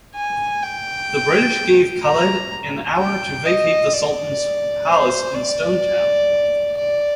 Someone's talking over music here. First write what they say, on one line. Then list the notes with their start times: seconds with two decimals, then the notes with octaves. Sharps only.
The British gave Khalid an hour to vacate the Sultan's palace in Stone Town.
0.15 G#5
0.63 G5
2.04 A#5
2.98 G5
3.46 D#5
3.93 D5
4.88 C5
5.35 D5
6.77 D5